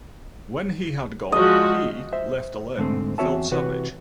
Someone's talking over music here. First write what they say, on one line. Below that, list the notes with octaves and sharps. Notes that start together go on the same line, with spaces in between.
When he had gone, he, left alone, felt savage.
F3 G#3 F#4 D#5
C5 E5
G#2 D3 A3 C4
E2 C4 F#4 C#5 E5 A5
C3 E3 F#4 B4 C#5